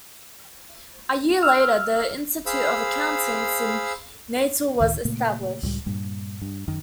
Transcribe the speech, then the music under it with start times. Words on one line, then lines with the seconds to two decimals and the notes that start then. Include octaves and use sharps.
A year later the Institute of Accountants in Natal was established.
1.42 E6 F6
2.46 G#4 C5 F5 B5 E6
4.80 C#2 A2 D#3
5.05 A#2 C#3 A3 A#3
5.63 C#2 A2 G3
5.86 G2 A#2 G3
6.42 G2
6.68 F#2 D#3